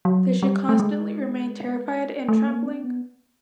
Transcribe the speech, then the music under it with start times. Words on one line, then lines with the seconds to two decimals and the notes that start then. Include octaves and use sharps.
They should constantly remain terrified and trembling.
0.05 F#3
0.43 G3
0.69 A3
0.80 G#3
2.28 A3
2.47 A#3
2.66 C4
2.84 B3